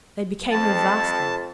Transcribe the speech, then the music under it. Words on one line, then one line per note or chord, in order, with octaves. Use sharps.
They became her vastly.
F2 A5